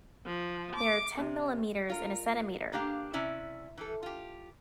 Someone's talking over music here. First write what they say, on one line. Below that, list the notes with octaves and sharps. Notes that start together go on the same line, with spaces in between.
There are ten millimetres in a centimetre.
F3
D6
C3
F4 A#4
A#3 D4 G4 F5
C3 C#4 E4 D5 E5
E3 G3 A4
F4 G4